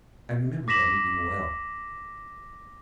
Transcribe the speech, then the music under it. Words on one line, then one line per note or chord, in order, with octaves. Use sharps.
I remember that evening well.
D6 A#6 B6 E7 F#7